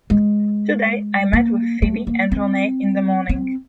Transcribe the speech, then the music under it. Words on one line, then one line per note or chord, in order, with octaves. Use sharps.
Today I meet with Febe and Roné in the morning.
G#3
A#3
A3
A#3
C4
C4